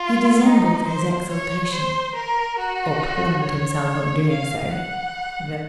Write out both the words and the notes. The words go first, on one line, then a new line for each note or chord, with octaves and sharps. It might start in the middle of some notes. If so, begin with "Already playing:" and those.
He dissembled his exultation--or plumed himself on doing so.
Already playing: F4
D#4
C5
C#5
C5
A#4
F#4
C#5
F5
F#5